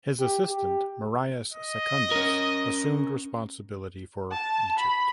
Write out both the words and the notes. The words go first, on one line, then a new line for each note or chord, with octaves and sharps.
His assistant Marius Secundus assumed responsibility for Egypt.
G4
G4
D#5
C#4 A#4
A5
B5